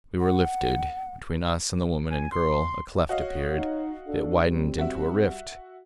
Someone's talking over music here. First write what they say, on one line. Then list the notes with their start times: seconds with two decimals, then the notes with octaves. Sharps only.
We were lifted; between us and the woman and girl a cleft appeared; it widened into a rift.
0.20 F#5
2.11 G#5
2.32 C6
3.09 F#4 C#5 D#5 F5
3.54 D#4
4.07 D4 A4
4.44 G3 C4
4.79 F#4 E5